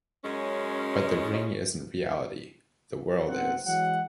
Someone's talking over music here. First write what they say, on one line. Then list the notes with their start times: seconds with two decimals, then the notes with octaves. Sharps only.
But the ring isn't reality: the world is.
0.24 F#2 G#3 C#4
3.28 F#1 B1 C4 F#5
3.65 E3 F#3 G#3 F#5